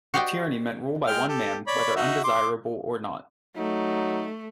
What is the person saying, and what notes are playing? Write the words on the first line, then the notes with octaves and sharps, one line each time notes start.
"Tyranny" meant rule by one man whether undesirable or not.
F#4 G4 C5 D5 D#5 G5
G#3 G5 F6
G4 A4
C#5 D5 B5
D#4 F#4 E5
C6 D6
F#3 A3 D#4